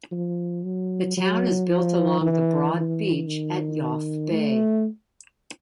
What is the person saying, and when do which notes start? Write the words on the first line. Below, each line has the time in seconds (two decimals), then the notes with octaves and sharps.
The town is built along the broad beach at Yoff Bay.
0.12 F3
0.64 F#3
1.17 F#3
1.69 F3
2.21 E3
2.74 E3
3.27 D#3
4.32 A3